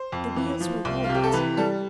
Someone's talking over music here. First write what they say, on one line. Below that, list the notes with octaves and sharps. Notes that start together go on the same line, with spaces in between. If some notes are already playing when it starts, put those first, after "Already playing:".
The wheels were warped.
Already playing: C5
F2
E3
F3
C2
F4
C3
G4
A4
E3 B4
G3 A4